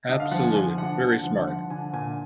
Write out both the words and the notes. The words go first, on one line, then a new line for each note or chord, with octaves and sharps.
Absolutely, v very smart.
D3 D#5
F5
F3 F#5
G#5
F3 G#5
D3 F#5
D3
F3
F3 F#5
D3 G#5
A#2 G#5